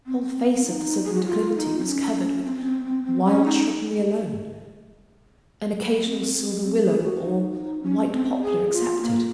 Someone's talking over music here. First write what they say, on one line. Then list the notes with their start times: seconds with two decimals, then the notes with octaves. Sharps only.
The whole face of the southern declivity was covered with wild shrubbery alone--an occasional silver willow or white poplar excepted.
0.07 C4
0.65 D#4
1.04 G#4
1.14 F#4
1.25 F4
1.56 D#4
1.79 C4
1.85 C#4
2.45 C4
2.65 C4
2.85 C4
3.04 C4
3.24 C#4
3.45 D#4
6.04 C4
6.62 C4
6.83 G#4
7.02 F#4
7.23 D#4
7.83 C#4
8.12 C4
8.42 G#4
8.72 F4
9.02 A#3